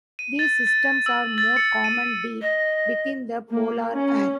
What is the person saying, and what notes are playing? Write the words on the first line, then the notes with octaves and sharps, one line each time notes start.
These systems are more common deep within the polar air.
D#7
A6
A6
E6
A6
C#7
D#7
D#5
A#3
C#4